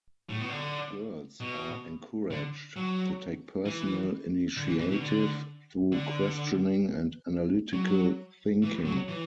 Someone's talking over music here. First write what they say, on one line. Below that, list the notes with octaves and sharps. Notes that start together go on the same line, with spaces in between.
Girls are encouraged to take personal initiative through questioning and analytical thinking.
A2
B2
D3
B2
D3
F#3
E3
D3
E3
E3
B2
D3
D3
F#3
E3
F#3
E3